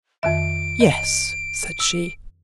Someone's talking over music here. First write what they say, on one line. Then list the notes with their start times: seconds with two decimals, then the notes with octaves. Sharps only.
"Yes," said she.
0.23 F2 D#3 E5 D7
0.80 D#5
1.80 E6